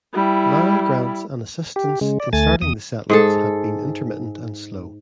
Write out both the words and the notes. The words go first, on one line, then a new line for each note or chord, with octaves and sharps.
Land grants and assistance in starting the settlements had been intermittent and slow.
G3 E4
G4
C#3 G#3
D5
D2 A3 G#5 A6
E2 D#6
G#2 G#4 A4